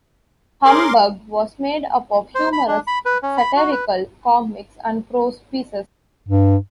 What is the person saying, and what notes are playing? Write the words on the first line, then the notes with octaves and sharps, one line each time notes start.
"Humbug" was made up of humorous, satirical comics and prose pieces.
C#4 G#4 A#4 C5 C6 D6
C5
B5
D4
B5
B4
C#4
B5
F#4
B4
G2